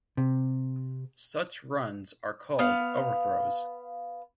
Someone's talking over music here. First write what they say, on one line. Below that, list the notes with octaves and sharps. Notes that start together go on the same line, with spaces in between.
Such runs are called overthrows.
C3
B3 F5